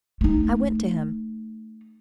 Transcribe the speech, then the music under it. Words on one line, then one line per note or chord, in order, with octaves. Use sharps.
I went to him.
A3 D#4